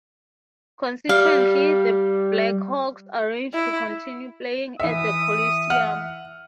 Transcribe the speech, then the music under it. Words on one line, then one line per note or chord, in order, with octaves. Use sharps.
Consequently, the Blackhawks arranged to continue playing at the Coliseum.
G3 F5
E4
E3 E5 D#6
F#5 F6